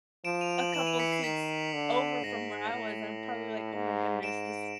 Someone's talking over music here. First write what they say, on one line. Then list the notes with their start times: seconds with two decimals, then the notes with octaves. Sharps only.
a couple of seats over from where I was and I'm probably like, "Oh my goodness, this
0.25 F3 D7 E7
0.41 D#7 F7
0.58 E7 F#7
0.74 E3 E7 F#7
0.87 D#7 F7
0.99 B6 C#7
1.12 C7
1.24 D#3 B6
1.74 D3
2.24 G#2 A#6
2.74 A2
3.74 G#2
4.23 G#2 D7 E7